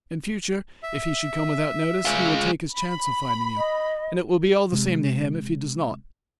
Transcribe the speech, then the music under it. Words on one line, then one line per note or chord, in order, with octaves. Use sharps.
In future, if he should come without notice, he will take his chance of finding you, and it will be all the same to him if he does not.
E5
G#3 F4
B5
D#5
C3 G#3